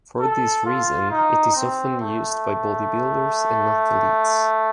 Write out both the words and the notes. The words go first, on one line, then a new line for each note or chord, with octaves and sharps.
For this reason, it is often used by bodybuilders and athletes.
A4
F4
D#4
C4
A3